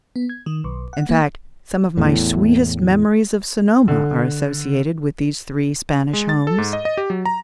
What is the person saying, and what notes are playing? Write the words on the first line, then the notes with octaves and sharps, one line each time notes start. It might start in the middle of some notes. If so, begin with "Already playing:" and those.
In fact, some of my sweetest memories of Sonoma are associated with these three Spanish homes.
B3
G#6
D#3
B1
F#5
A#3
E2 A2
D3
G#3
A6
A4
G#2
D#5
D#5
G4
F#3
A#5